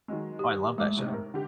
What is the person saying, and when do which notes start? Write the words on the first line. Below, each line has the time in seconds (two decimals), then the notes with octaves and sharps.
Oh, I love that show.
0.08 D#3 F#3 G#3
0.39 G4
0.78 G#2 G#3 A3 D6
0.97 A2 C3 D#4
1.13 A#4
1.34 D3 G4